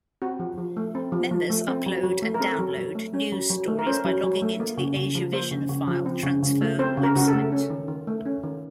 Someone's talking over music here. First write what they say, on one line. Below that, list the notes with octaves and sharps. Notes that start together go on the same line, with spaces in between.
Members upload and download news stories by logging into the Asiavision file transfer website.
C4 F#4
F3
F3
A3
C4
F3
F3
A3
C4
F#3
F#3
A3
A#4
C4 A4
F#3
F#3
A3
C#4
F#3
F#3
A3
A#4
C#4 C5
F#3
F#3
A3
A#3
C#3
C#3
F3
A#3 C5
C#3
C#3
F3
C4
C#3
C#3
A3
C4 C5
C#3
A#4
C#3 F#4
A4
A3
C#4
D#3
D#3
A3
C#4
D#3